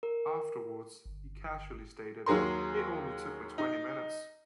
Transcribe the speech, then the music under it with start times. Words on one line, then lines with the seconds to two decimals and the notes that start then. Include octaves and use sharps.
Afterwards he casually stated "it only took me twenty minutes".
0.03 A#4
1.05 G1
2.26 D#2 F#3 G#4 A#4 C6
3.58 D#4